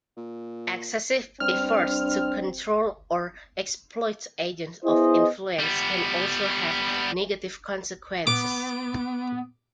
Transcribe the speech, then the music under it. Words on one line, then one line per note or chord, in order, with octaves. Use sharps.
Excessive efforts to control or exploit agents of influence can also have negative consequences.
A#2
G2 C4 D4 F6
B3 E4 G#4 C5 D#5
G3 B3
B3 D6